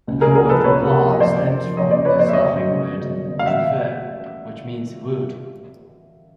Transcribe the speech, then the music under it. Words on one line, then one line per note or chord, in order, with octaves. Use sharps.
The word Drvar stems from the Slavic word ""drvo"" which means "wood".
C#2
G#4 A#4
C#2
G#4 A#4
F3 A4 B4
C#2 B4 C#5
C3
F3
D#5
F1 C5 D5
C#3
F3
F1 C#5 D#5
C#3 C5 D5
B4 C#5
F2 C5 D5
E5
G1 C#5 D#5
F#2
C#3
G1
G1
G1
F5
A1 E5 F#5